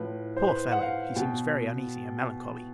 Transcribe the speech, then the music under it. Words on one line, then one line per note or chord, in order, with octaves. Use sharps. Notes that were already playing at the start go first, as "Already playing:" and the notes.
Poor fellow! he seems very uneasy and melancholy.
Already playing: A2 F3 B4
C5
B4
F#5
F5
B2 G5